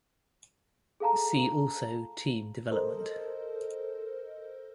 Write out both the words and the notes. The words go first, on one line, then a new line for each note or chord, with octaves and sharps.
See also Team development.
G#4 A4 F5 A5 A#5
A4 A#4 C5 D#5